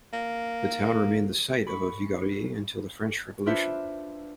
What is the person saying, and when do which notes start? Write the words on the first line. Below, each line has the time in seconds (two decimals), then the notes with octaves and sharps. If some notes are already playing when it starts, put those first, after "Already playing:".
The town remained the site of a "viguerie" until the French Revolution.
0.14 A#3
1.67 B5 C#6
3.46 D4 F4 B4 C5 E5